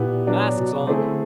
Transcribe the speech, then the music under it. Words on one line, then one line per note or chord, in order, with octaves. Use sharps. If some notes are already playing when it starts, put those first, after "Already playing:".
Masks on!
Already playing: A#2 B3 E4 G4
F#3 B3 D4
B2
C#3
D3 A3 C4 E4 G#4
D3